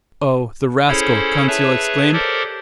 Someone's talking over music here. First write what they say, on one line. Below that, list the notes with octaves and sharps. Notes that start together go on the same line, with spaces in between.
"Oh, the rascal!" Conseil exclaimed.
C#4 E4 G#4 A4 C5 C#5
G#4 B4 C#5 E5 A5
G4 A4 A#4 C5 D5